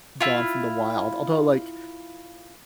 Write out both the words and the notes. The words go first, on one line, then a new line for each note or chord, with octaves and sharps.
gone from the wild, although, like,
E4 F4